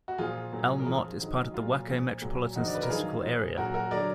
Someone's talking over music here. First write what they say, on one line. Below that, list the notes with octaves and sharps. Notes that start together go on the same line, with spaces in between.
Elm Mott is part of the Waco Metropolitan Statistical Area.
F#4
A#2 F3 F4 G#4
A#2 F#3
A#4
F2 F3 F4 G#4
F2 D#3 F#3
A#2 F#3 F4
A#2 F3
A#2 F#3
F2 D3 F3 D#4 F#4
D5
B4
A#4
F2 D#3 F#3 F4 G#4
A#2 F3
A#2 F#3 F#4 A#4
F#4 A#4
D3 F#3 A#4 D5